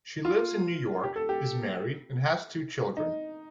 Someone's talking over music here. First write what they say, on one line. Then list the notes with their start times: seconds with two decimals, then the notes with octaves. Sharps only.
She lives in New York, is married and has two children.
0.25 F4
1.03 G4
1.16 A4
1.29 G4
2.97 D#4